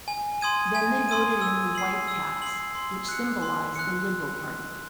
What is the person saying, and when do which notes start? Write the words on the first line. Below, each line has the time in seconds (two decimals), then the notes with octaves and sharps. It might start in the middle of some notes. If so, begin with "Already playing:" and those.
Then they voted in the white cats, which symbolized the Liberal Party.
0.08 G#5
0.41 C6 D#6 G#6 D#7
0.75 G#5
1.09 C6 D#6 G#6 D#7
1.41 E6
1.75 C7 F#7
2.08 E6
2.42 C7 F#7
2.75 C6
3.09 F#6 C#7
3.42 C6
3.76 F#6 C#7